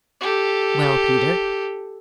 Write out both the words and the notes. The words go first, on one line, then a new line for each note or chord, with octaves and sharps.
"Well, Peter?"
G4 A4